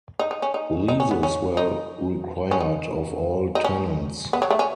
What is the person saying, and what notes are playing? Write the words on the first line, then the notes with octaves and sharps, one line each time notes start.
Leases were required of all tenants.
D#4
D#4
C#4
D#4
D#4
C#4
B3
C#4
D#4
C#4
D#4
D#4
C#4
B3
F#3
A3
C#4